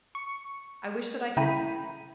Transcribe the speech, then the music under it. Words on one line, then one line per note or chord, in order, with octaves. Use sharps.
I wish that I could
C#6
C#3 E4 G5 A#5 B5 D#7